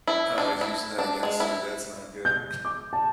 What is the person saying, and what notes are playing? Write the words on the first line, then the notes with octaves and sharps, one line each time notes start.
Oh, he's using that against you. That's not good.
E4
D4
E4
D4
G#3
E4
G6
D6
A5